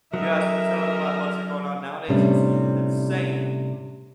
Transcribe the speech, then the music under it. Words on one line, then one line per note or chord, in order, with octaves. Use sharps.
You ask you tell them about what's going on, nowadays? It's it's it's insane.
F#3 C#4 D#4 A4 A#4 E5
A2 C3 G3 C#4 D4